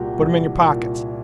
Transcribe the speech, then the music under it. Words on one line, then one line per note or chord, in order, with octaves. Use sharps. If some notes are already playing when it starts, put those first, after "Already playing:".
"Put 'em in yo' pockets."
Already playing: C2 A#2 F#4 G4
C2
A#2